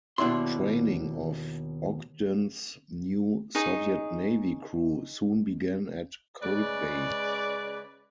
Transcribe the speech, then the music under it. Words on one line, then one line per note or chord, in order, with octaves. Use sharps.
Training of "Ogden"s new Soviet Navy crew soon began at Cold Bay.
D#2 B2 D4 E4 C6
D#4 G#4 C#5
C#3 G#3 B4 D5